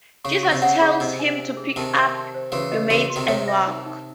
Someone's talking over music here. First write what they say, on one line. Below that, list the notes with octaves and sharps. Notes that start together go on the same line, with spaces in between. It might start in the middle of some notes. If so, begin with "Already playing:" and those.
Jesus tells him to Pick up your mat and walk!
C#3 C#6
C#6
C3
C#3 F#5
G#4
C3 D#5
G#5
G#5
G#4
C3 D#3 A5
E5
A5
C5
C#3 E3 F#4
D#5
C#3 E3 F#4
F#4
C3 D#3
C3 D#3 C#5
E5
D#4
D#4